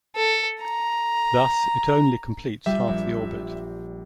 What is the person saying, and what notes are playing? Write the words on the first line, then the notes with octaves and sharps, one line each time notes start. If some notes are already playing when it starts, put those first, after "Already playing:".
Thus, it only completes half the orbit.
A4
A#5
G3 F4 G4 E5
A#1